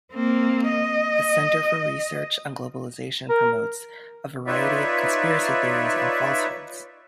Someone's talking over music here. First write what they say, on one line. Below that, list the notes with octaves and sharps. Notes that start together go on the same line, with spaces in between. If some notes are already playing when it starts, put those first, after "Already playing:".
The Centre for Research on Globalization promotes a variety of conspiracy theories and falsehoods.
A#3 C4
D#5
A#4
D#4 F4 B4 C#5 D5 E5